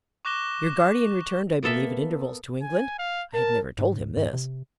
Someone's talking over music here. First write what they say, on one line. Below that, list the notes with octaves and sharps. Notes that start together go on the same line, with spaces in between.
"Your guardian returned, I believe, at intervals to England?" I had never told him this.
C#6 D6 F#6 A#6 E7 G7
A#3 B3 A4 E5
G#5
F5
A#4 A5
G#2
G#2
C3